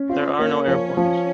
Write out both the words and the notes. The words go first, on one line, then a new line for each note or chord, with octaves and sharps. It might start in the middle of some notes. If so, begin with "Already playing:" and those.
There are no airports.
Already playing: C#4
C4 F4
A#3 C#4
F3 C#4
F3